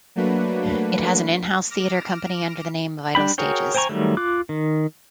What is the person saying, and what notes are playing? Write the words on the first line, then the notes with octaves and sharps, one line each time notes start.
It has an in-house theatre company under the name Vital Stages.
F#3 A3 A#3 D4 F#4 B4
D6 F6 A#6 D7 E7
G3 D4 G5 B5
F#4 G#4 A#4 C#5 G5
C5 G5 G#5 A#5 C#6
D#3 F#3 G3 A3
F4 D6 F#6
D#3